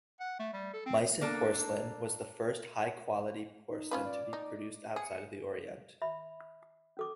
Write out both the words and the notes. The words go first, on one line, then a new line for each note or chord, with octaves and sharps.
Meissen porcelain was the first high-quality porcelain to be produced outside of the Orient.
F#5
A3
G3
A4
C4
A#3 D4 A4
D#4
C#4 F4 B4
D5
D#4
G#4 C#7
E5 B5
C#4 A4 D6